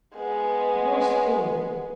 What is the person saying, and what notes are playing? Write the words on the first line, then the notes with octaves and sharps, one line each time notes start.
"It was Thorn."
G#3 B3